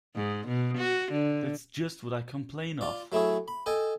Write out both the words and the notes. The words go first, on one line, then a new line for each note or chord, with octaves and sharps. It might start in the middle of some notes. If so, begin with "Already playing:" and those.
That’s just what I complain of!
G#2
B2
F#4
D3
F4 D5
F#3 A3 E4 G#4 C#5
B5
A4 D#5 G5 G#5